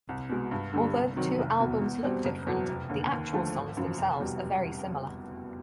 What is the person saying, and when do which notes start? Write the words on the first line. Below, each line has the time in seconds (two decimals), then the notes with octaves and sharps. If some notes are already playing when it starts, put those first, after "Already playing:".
Although the two albums look different, the actual songs themselves are very similar.
0.09 C2
0.29 B2 G#3
0.51 G2
0.73 D3 G3
0.95 C2
1.16 C3 D#3 F#3
1.38 F1
1.60 E2 B2
1.81 E2
2.03 B2 G3 C4
2.25 F#1
2.47 E2 B2 F#3
2.69 F1
2.89 D#2 D3
3.12 D#2
3.33 D3 F3 A3
3.54 G#1
3.77 F#2 C#3 F3
3.97 F1
4.19 E2 B2 G3